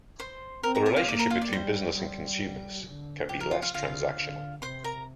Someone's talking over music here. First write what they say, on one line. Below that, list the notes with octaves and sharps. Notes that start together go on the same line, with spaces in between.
The relationship between businesses and consumers can be less transactional.
C5 C6
C4 A#4 A#5
A#4 A#5
A#4 A#5
F4 F5
A#3 D5
A#4 A#5
F4 F5
D5
G3 C5
G3
D3
F3 G4
A#4
F4
F4 F5
D3 F4 F5
D3
C3 C5 C6
A#4 A#5